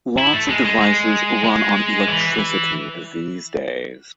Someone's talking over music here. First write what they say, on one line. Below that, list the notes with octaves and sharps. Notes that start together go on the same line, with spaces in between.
Lots of devices run on electricity these days.
E4
A3
G#3
G#3
G#3
G#3
E3